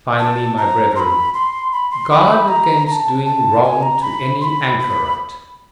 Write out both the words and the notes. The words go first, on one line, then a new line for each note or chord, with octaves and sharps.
Finally, my brethren, guard against doing wrong to any anchorite.
A5
A#5
C6
B5
C6
B5
C6
B5
A#5
A#5
A5
A5
G#5
A#5
B5
C6
B5
B5